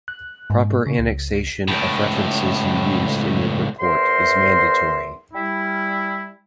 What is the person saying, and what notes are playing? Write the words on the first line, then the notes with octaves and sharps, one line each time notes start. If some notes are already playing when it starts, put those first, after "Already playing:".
Proper annexation of references you used in your report is mandatory.
F#6
G#2
C#3
C#2
C#2 A2
E2 A#4 C5 E5 C6
G3 E4